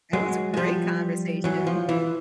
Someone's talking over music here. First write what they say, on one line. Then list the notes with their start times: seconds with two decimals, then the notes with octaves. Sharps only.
That was a great conversation.
0.13 F#3 G#3
0.54 G#3
0.57 F3 G3
1.44 E3 F#3
1.67 F3
1.89 E3